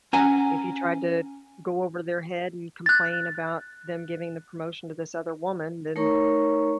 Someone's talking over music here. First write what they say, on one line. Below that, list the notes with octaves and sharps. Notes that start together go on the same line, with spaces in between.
if you tried to go over their head and complain about them giving the promotion to this other woman, then,
C#4 F#5 G#5 A#5
F#6 A6
A3 D#4 A#4 C#5 A#5 C#6